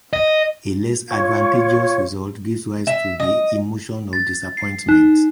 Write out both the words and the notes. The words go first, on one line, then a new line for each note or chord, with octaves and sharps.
A less advantageous result gives rise to the emotion of disappointment.
D#5
F4 C#5
E5
D#5
A6
C7
D#4